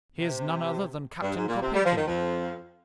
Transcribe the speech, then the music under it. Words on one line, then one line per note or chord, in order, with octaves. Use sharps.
"He is none other than Captain Kopeikin."
C3
G2 G3
G#2 G#3
A#2 A#3
C3 C4
G3
F3
D#3
F2 F3